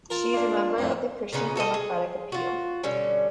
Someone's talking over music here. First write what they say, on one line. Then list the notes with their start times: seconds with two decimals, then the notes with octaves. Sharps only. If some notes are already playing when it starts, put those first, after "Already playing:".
She is a member of the Christian Democratic Appeal.
0.10 F4 A#4 A5
0.34 A#3 D4
0.78 F2 A2
1.32 A#2 C#3 B3 D#4
1.56 F#4 A4 B4 D#5
1.74 G#4
2.32 F4 F#4
2.83 B2 D3 G3 C#4